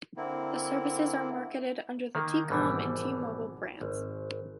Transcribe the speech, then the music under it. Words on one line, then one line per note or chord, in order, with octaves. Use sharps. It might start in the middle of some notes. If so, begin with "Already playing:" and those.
The services are marketed under the T-Com and T-Mobile brands.
D3 A#3 C4 E4
D#3 A#3
G#1 B2 E3 G3
G#1